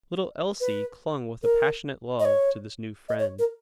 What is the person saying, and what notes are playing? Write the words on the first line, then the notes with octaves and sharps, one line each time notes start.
Little Elsie clung with a passionate love to this new friend.
B4
A#4
D#5
C#5
D#5
C#5
A#4